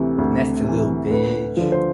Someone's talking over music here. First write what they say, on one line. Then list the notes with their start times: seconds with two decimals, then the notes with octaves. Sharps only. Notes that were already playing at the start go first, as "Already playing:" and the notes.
Nasty Lil bitch!
Already playing: D2 C3 E3
0.18 D2
0.64 C3 E3
1.11 D2 B4
1.57 D3 F3
1.72 C5